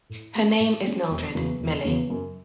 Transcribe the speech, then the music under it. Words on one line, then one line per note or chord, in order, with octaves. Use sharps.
Her name is Mildred "Millie".
A2
G#3 C#4
A2
G#3 C#4
E1
E2 C#3 F#3 B3
E1
E2 C#3 F#3 B3
F#2